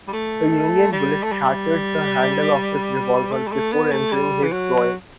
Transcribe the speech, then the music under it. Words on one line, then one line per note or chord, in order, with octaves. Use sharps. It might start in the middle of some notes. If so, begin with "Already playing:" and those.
A Union bullet shattered the handle of his revolver before entering his groin.
G3
A3
G3
A3
G3
A3
G3
A3
B3
A3
G3
E3
F#3